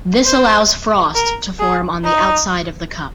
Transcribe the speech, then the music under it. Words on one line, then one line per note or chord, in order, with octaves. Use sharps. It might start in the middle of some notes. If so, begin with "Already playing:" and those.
This allows frost to form on the outside of the cup.
C5
A#4
G#4
D#4